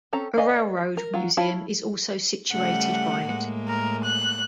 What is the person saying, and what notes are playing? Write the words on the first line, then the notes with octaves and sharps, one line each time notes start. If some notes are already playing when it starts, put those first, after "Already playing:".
A railroad museum is also situated by it.
C4 C#4 A4 A#5
B4 D5 D#5 F5 G#5
A#4
F#3 F4
E4 C#5 F5 A5 B5
C#3 G3 A3 F#5
A2 G#3 A#3
A#4
F#6